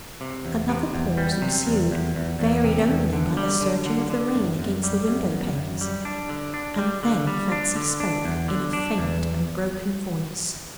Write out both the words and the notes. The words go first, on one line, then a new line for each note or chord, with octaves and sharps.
Another pause ensued, varied only by the surging of the rain against the window-panes, and then Fancy spoke, in a faint and broken voice.
C3
E2
C3
E2
G3
C3
E2
E2
E2
E2
C3
E2
D3
G3
D3
D3
D3
F#2
F#2
G3
F#2
F#2
F#2
G3
D4
D3
D4
G3
D3
G3
D4
D3
D4
E2
D3
D4
E2